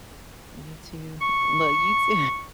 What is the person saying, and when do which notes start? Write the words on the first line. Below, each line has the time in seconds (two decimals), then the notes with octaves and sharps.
You too? Well, you too.
1.21 C#6